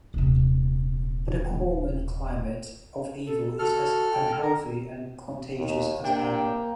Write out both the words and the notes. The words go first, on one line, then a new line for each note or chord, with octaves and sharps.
But the Corman climate of evil is as unhealthy and contagious as ever.
D#1 C3
A4
F#4 A4 F6
G5
A4 A#4
D#2
C3 A#3 D4 G5